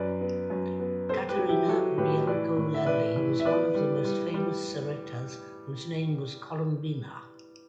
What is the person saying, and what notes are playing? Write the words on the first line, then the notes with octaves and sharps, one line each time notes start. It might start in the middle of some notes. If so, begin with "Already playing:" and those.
Caterina Biancolelli was one of the most famous serettas whose name was Colombina.
Already playing: F#2 B4 D5
B3
F#2
B3
B3 A4 C5
G4 B4
F#3
E4 G4
F#3 F#4 A4
A2 G4 B4
E3 B4 D5
A2
E5
E3 B4 D5
E3
E5
B3 B4 D5
G3
G3
G3